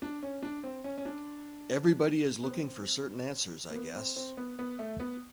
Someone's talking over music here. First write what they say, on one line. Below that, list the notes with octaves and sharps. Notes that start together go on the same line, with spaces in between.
Everybody is looking for certain answers I guess.
D4
C#4
D4
C4
C#4
C#4
D4
B3
C4
A#3
B3
C4
C4
B3
B3
A3
B3